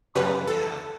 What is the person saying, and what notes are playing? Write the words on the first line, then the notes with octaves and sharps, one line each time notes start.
Oh, yeah.
F#2 C#3 G3 B4
A4